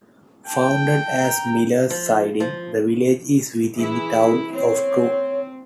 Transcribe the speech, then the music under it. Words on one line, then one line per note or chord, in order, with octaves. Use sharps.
Founded as Miller's Siding, the village is within the town of True.
G5 A5
A#5
F3
F3
E3 E4 G#4
C4 C#5